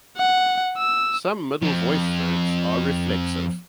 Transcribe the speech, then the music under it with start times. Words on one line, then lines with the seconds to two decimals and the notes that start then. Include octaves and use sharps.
Some middle voice verbs are reflexive.
0.17 F#5
0.78 E6
1.63 F2 F3